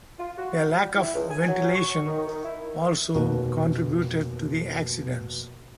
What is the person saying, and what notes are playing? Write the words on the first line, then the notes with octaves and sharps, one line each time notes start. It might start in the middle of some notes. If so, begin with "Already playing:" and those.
A lack of ventilation also contributed to the accidents.
F4
F#4
G3
E4
C#2
G#5
F#3
C#6
D#3
D#3
E4
F1 D#2 B2 F#4